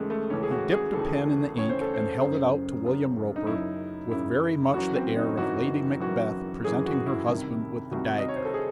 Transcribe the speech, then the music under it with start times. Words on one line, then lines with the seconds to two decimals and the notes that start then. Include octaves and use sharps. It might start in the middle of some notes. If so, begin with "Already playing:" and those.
He dipped a pen in the ink and held it out to William Roper with very much the air of Lady Macbeth presenting her husband with the dagger.
Already playing: D#2 C#3 E3 G#3 A3
0.10 A3
0.30 D#2 C#3 E3 C#4
0.43 G#4
0.51 F#4
0.72 G#4
0.94 D#2 C#3 E3 A4
1.57 D#2 C#3 E3 C#5
1.69 C5
1.81 A4
1.94 C5
2.21 F#1 F#2 C#3 C5
2.85 F#1 F#2 C#3
3.36 D#4
3.47 F#1 F#2 C#3 E4
4.11 F#1 F#2 C#3 E4
4.74 F#1 F#2 E3 F#4
4.96 C4
5.17 D#4
5.37 F#1 F#2 E3 F#4
6.00 F#1 F#2 E3 F#4
6.64 F#1 F#2 E3 G#4
6.86 F#4
7.06 E4
7.28 C2 C3 D#3
7.91 C2 C3 D#3 F#4
8.18 D#5
8.28 C#5
8.36 C5
8.45 A4
8.54 G#4